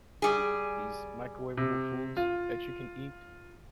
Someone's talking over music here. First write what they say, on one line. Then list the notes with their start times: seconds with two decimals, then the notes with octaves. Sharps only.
these microwavable foods that you can eat.
0.22 G3 G#4
1.57 C3
2.17 F4